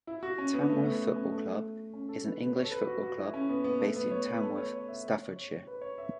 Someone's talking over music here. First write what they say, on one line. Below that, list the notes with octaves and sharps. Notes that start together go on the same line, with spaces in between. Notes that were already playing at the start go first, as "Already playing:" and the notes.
Tamworth Football Club is an English football club based in Tamworth, Staffordshire.
E4
F#4
C#4
B3
A3
B3
C#4
B3
A3
C#4
A4
B4
B4
C#5
A4
B4
F#4
F#4
E4
C#4
B3
B3
A3
B3
C#5
B4
A4
C#5
C#5
E5
C#5
C#5
B4
C#5
E5